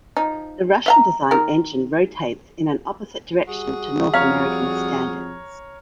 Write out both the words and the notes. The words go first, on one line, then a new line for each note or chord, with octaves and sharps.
The Russian-designed engine rotates in an opposite direction to North American standards.
F3 D#4
E5 F5 A#5
D#3 A#4
G3 F#4 G#4
F2 C#5 F5 A#5 F6